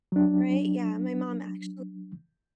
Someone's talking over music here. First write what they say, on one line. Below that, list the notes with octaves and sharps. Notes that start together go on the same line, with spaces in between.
Right? Yeah. My mom actual
F#3 D4